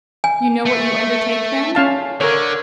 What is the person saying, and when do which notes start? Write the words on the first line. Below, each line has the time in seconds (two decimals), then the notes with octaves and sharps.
"You know what you undertake, then?"
0.24 G#5
0.65 A3
1.75 C#4 F5 A5
2.21 D3 A#4 C#5